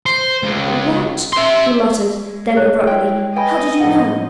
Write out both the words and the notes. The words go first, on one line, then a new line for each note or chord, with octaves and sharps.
"What?" he muttered; then, abruptly: "How did you know?"
C5
C#2
E5 C6
G#3
G#4 C#5 F#6
E4 G5
B4 D#5 G5 G#5 B5
A2 F3 A4 F#5